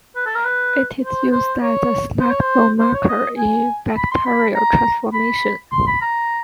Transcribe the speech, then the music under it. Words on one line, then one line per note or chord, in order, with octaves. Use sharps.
It is used as a selectable marker in bacterial transformation.
B4
A4
A#4
B4
C5
C5
C#5
C5
C#5
C5
C5
C#5
D#5
G#5
B5
C6
B5
A#5
B5
C6
B5
A#5